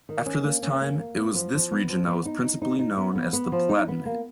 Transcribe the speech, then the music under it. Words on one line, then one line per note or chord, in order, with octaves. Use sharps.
After this time, it was this region that was principally known as the Palatinate.
D#3
C#4
A#3
C#4
A#3
A#3
B3
F3
F3
B3
F3
B3
D#4
D#4
D#4
D#4
B3
B3
B3
F3
D#4
B3
A#3